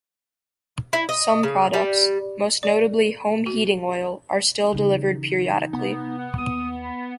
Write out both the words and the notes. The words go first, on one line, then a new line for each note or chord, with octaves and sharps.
Some products, most notably home heating oil, are still delivered periodically.
E4
D#5
C#3
G3
D5
F#4
C#3 E3 D#4
C3 B3
F#5
D#2 D#6
B5